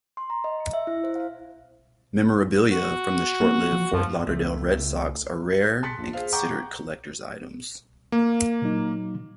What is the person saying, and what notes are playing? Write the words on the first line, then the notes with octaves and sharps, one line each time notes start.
Memorabilia from the short-lived Fort Lauderdale Red Sox are rare and considered collectors' items.
C6
A#5
D#5
C#7
E5
E4
C5
F5
F#4
A#3
F3
F#2 F3
C#2 A3
A5 C6 F#6 A6 B6 C#7
A#1
G#4 C5 F5
F#5 G5 A#5 C#6 D6 G6
A#3
A#2 F#3 D#4